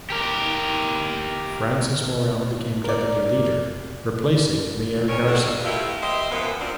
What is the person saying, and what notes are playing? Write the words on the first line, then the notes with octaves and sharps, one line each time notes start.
Frances Morrell became Deputy Leader, replacing Mair Garside.
G4 A#4
A#4 D5
D2 C#4 A#4 C#5
D3 G3 D4 F#4 G#4 A4
G3 A3 A#3 E4 F4 G4
G4 C5 D#5 E5
F#2 E3 F3 A#3 B3
F#3 G3 A#3 C4 D4 F4